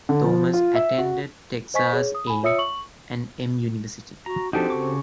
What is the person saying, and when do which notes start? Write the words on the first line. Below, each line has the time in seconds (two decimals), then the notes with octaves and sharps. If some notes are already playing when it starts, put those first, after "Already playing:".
Thomas attended Texas A and M University.
0.09 D3
0.24 F3
0.53 F4
0.75 E5
0.98 F#4
1.74 C5 D#5 G#5 C#6 B6
1.93 G#4 C#5
2.15 D#6
2.27 G#5 B5
2.43 F4 C#5 E5 D#6 E6 C#7
2.59 C#6 F#7
4.26 F#4 A#5
4.53 F3 C4 D4 D#4 F#4 G4 A4
4.70 C#3 C#6 D6